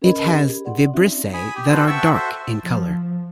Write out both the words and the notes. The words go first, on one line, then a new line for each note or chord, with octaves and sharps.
It has vibrissae that are dark in color.
C#4 G#4 A#4 B4 D#5 B5
G4
G#4
D5 F#5 C6
C4 C#4 D#4 F#4 E5
G#5 B5 D#6
G4
C4 F#4 A4 B4 C5
E5 F#5 G5 A5 C#6 E6
F#4 A4 C5 E5
F3